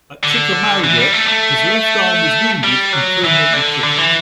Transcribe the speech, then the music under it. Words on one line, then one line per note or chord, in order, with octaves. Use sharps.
At Chickamauga, his left arm was wounded and permanently crippled.
D3
E3
G3
A3
A3
G3
F#3
E3
D3
D3
E3